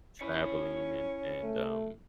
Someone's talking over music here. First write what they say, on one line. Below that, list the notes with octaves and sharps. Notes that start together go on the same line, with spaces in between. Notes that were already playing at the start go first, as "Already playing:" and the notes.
traveling and and, um,
C#4 E4 C#5 B5
A3